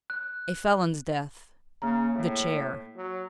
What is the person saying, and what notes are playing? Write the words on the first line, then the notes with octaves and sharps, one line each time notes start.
A felon's death--the chair!
F#6
C#3 A#3 A#5
A2
F#3